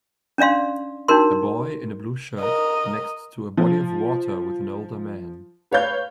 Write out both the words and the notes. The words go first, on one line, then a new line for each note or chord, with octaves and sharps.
A boy in a blue shirt next to a body of water with an older man.
C#4 D4 D5 F5 C6
D4 D#4 F#4 A#4 C6
A#4 D#5
F3
B4 C#5 F5 G6